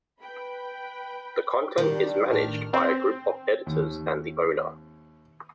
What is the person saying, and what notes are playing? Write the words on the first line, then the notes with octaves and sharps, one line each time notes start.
The content is managed by a group of editors and the owner.
B4 G5 B5
D#3 G3 D4
A1 D4 F6
C4
D#2